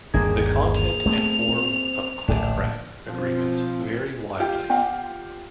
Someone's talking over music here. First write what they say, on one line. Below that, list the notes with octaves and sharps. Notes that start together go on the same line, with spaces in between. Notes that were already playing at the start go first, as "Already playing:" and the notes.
The content and form of clickwrap agreements vary widely.
G1 D#2 D3 A#3 G#4
F7
A3 B3 C4
C4
D1 A#1 D4
B2 F3 C4
F4 G4
B3 F#5